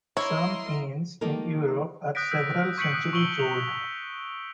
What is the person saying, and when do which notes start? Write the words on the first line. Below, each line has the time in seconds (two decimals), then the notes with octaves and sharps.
Some inns in Europe are several centuries old.
0.17 E4 A#4 C#5 D#5 C6
1.21 D#3 A#3 D#4 G4 A4 A#4
2.15 D#6 F#6 G6 A#6 B6 D7
2.31 D#6 E6 G6 B6 D7
2.78 C#6 G6 B6 C#7 D7 F#7
2.92 D#6 F#6 G6
3.13 C#6 E6 D7 F#7 G7
3.39 F7